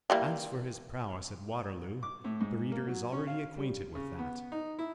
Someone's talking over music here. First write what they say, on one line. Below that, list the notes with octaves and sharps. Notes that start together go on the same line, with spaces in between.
As for his prowess at Waterloo, the reader is already acquainted with that.
E3 G3 A#3
D6
A2
G#2
A#3
F#3
C#4
F5
G3
C#3
B3
D#4
E4